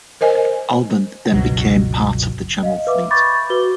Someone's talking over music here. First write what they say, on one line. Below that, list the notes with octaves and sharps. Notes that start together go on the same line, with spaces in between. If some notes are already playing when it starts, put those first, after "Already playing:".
"Albion" then became part of the Channel Fleet.
A#4 C5 D#5 G#5
G1 C#2 B2 F#3
D#5 F5
B4 E5 D6
B5 C#6 D6 G6 A6
F#4 B4 G7